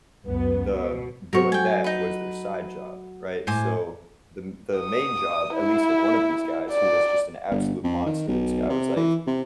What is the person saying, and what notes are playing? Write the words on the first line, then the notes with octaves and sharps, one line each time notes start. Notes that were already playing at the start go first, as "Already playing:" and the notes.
the doing that was their side job right? So, the the main job, at least of one of these guys who was just an absolute monster. This guy was, like,
C#2 F#2 B3
B2
F#3 A4 A#4 C5 C#5
G5 G#5
D#4 B4
A2 C5 G#5 D6
D#6
E4
D5
G1
F2
D#3
B1
C3
E3
C3